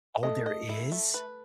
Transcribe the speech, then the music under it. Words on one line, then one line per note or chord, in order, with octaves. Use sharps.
Oh, there is?
A3 A4 D#5
D#5
E4
A3
B4